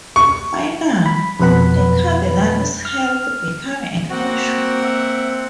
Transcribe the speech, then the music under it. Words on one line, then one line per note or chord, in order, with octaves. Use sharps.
Finally, the Cardinal's health became an issue.
C#6
B5
F2 B2 B4 F#5 B5
F6
A#3 C4 F#4 F#5
E5